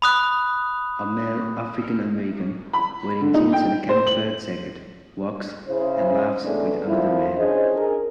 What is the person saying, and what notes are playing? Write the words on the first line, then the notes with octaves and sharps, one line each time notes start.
A male AfricanAmerican wearing jeans and a camouflage jacket, walks and laughs with another man.
B5 D#6 F#6
B5
D3
D#4
G5
C5
F#7
C#3 E4 C5
E2 G#3 A3 B3 C#4 D4
D2 D#3 F3 E4
C#4 D4 G#4 C5 C#5 D#5
G#4 A#4